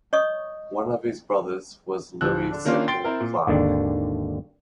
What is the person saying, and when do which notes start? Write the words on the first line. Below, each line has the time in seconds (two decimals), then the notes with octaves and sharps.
One of his brothers was Louis Semple Clarke.
0.13 C#5 D#5 C#6 D#6
2.21 D1 F3 E6 F#6
2.51 D3 D4
2.65 D#3 A#3 C#4 D4 F4
2.88 G5 C6 A6 C7 D7 G7
3.04 C4 E4 A#4
3.21 A#2
3.47 G#1 D#2 D3 D4